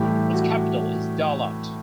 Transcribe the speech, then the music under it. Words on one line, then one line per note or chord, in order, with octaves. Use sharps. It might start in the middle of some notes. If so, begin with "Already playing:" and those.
Its capital is Da Lat.
Already playing: A2 E3 G3 G4
F#4